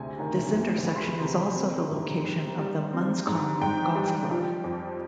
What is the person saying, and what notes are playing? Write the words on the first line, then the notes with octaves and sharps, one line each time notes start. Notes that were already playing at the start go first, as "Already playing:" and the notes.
This intersection is also the location of the Munscong Golf Club.
Already playing: D2 C3 G#3 G#5
D#3
D2
G#3 B5
C6
B5
C3
C4
G#2
G#2
G3
C4
G#2
G#2 G5
G3
F3
F2